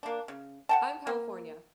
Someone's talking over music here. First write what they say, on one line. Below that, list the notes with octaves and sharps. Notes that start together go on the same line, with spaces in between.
I'm California,
A#3 D4
C#3
F#5 G5 A5
A#3